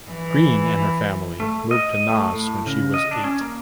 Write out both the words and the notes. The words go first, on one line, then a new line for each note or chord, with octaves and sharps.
Greene and her family moved to Naas when she was eight.
E3
A3
D#5
A3
A2
C#3
D#5
D4
C#4
A#3